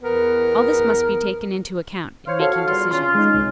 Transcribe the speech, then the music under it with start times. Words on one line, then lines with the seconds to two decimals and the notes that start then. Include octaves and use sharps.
All this must be taken into account in making decisions.
0.02 E2 B3 A#4
2.26 C5 C#5 F5
2.40 F#4 A4 C#5 F5
2.67 E2 G3 F4
2.91 C#4 F4 C6
3.15 G#3 D#4
3.34 C2